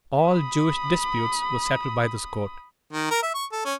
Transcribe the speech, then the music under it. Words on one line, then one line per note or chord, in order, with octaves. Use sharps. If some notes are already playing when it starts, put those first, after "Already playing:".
All Jewish disputes were settled by this court.
B5 D#6
D#3
A#4
E5
C#6
A4
C#4